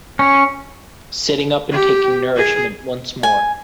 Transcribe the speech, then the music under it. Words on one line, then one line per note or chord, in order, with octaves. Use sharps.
Sitting up and taking nourishment once more.
C#4
G4
G#4
G#5